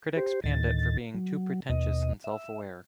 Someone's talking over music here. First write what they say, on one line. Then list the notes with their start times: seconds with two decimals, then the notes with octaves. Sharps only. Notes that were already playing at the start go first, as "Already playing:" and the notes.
Critics panned it for being too pretentious and self-aware.
0.16 G4 C5
0.44 D2 A2 D#3 A6
1.14 F#3
1.70 D#2 B2 D#5
2.24 E5